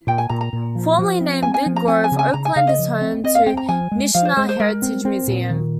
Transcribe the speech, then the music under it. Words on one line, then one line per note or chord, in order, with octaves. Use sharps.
Formerly named Big Grove, Oakland is home to Nishna Heritage Museum.
A#2 G5
G#5
A#2 A#5
A#5
A#2
F3
F3
C4
C4 G#5
G#5
F3
A#5
C4 G#5
G#5
C#3
G#5
C#3 A#5
G#5
C#3 F5
D#5
F3
C4
C4 D#5
F5
C4 G5
A#5
F3 G#5
G#3
F3 F5
C5
G#3 C5
C5
G#3 A#4
C4
C4
A#2
D#3